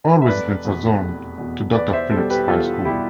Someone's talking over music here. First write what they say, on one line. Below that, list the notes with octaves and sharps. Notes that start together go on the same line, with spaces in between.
All residents are zoned to Doctor Phillips High School.
E5
F1 B4 D5
E2 B2
F1
E2 B2
E2 B4 D5
C5 E5
B2 G3 A4 C5
G4 B4
E2 F4 A4
B2 G3 E4 G4